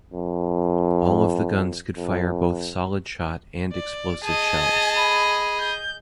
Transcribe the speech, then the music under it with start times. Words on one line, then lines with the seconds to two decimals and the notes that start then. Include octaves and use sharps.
All of the guns could fire both solid shot and explosive shells.
0.13 F2
1.96 F2
3.72 D5
4.24 G#4 D#5 A5
4.96 B5
5.59 G6